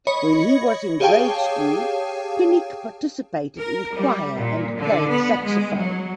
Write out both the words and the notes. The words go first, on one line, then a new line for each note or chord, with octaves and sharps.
When he was in grade school, Pinnick participated in choir and played saxophone.
C#5 D#5 B5 C#7
G4 G#4 C#5 F5 G5 A5
A#4
G3
A#2
D3
B3
G#3
F#3